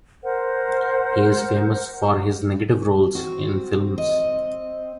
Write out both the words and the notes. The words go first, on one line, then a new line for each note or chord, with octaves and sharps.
He is famous for his Negative roles in Films.
A#4 C5 F#5
C4 F#4
D#5